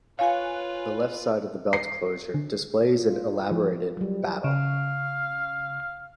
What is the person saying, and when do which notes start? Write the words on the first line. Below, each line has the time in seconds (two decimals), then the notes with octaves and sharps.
The left side of the belt closure displays an elaborated battle.
0.19 F4 B4 C#5 F5 G#5 F#6
1.73 C7
2.34 D3
2.97 F4
3.51 F3
3.97 F#3 G3
4.44 C#3 F5